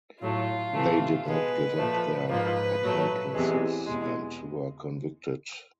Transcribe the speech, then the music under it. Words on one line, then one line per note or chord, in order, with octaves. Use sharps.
They did not give up their accomplices and were convicted.
A2 F#3 A3 F4
C3 E3 A3
B2 G#3 B4
A#2 F3 A3
G#2 F3 A#3 B4
A#2 F#3 A3
E2 C3 E3 G#3
E2 B2 G#3